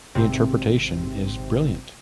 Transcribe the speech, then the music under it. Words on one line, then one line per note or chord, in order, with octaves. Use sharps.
The interpretation is brilliant.
G#1 C3 C4